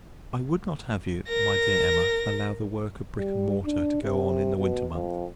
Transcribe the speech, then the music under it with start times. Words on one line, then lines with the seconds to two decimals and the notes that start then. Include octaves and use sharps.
I would not have you, my dear Emma, allow the work of brick and mortar to go on in the winter months.
1.28 A#4 A#6
3.19 G3
3.65 D4
4.03 C3
4.57 B2
4.93 F2